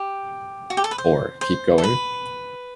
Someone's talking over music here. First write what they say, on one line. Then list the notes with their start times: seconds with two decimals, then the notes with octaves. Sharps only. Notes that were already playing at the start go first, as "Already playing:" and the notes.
Or, keep going?
Already playing: G4
0.70 F#4
0.77 G4
0.84 A4
0.91 B4
0.98 C5
1.41 C5
1.78 A4
1.84 B4